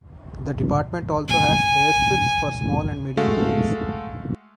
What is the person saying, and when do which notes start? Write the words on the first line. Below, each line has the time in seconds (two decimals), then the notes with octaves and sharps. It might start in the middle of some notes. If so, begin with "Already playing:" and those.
The department also has airstrips for small and medium planes.
1.28 G#5
3.17 G#3 A3 F#4 A4 F5